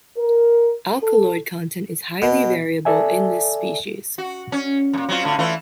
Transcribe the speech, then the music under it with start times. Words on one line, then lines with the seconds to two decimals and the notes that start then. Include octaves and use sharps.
Alkaloid content is highly variable in this species.
0.18 A#4
1.02 A4
2.22 B2
2.85 A4 D5 E5 G#5
4.18 F#4
4.52 C#4
4.93 F#2 A#2
5.09 F#3 C4 F4
5.23 A2 D3 F4
5.39 E3 A3 F4